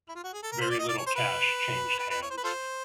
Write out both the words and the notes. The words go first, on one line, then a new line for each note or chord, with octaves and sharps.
Very little cash changed hands.
E4
F4
F#4
G#4
A4
A#4
C5
D5
D#5
D5
C#5
C5
B4
B4
B4
C#5
C5
B4
F4 A4 C5